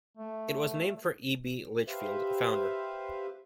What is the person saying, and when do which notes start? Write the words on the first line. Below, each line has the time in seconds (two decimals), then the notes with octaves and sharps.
It was named for E. B. Litchfield, a founder.
0.17 A3
1.88 G4 B4 C5 E5 F5